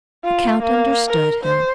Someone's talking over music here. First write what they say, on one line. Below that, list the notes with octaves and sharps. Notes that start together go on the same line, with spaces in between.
The count understood him.
F4
A#3
A#4
C5